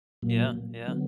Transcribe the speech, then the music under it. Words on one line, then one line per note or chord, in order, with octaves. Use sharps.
Yeah yeah.
A#2 F#3 A#3
D3 F#3 B3